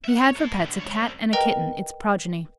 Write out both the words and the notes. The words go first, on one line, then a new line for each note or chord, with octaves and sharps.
He had for pets a Cat and a kitten, its progeny.
E5 F#5
C#5
E4 A4
G2 D3
G#2 C#5
C2
A#4 B4 D#5 G5 A#5